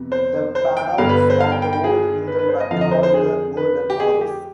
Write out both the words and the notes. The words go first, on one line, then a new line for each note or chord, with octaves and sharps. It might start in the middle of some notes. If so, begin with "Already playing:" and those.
The Pharaohs of the Old Kingdom were called the "Golden Horus".
Already playing: F2 C3 B3
C5
C5
G5
G2 D3 G3 B3 F5
B4
B4
C5
F5
G5
G5
G5
G#4
B4
B4
C5
D#5
F2 D3 F3 F5
D#5
C5
C5
G#4
B4
G4
G#4
G4